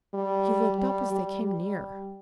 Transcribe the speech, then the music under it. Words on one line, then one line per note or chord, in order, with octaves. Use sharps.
He looked up as they came near.
G3
G3
G3
G3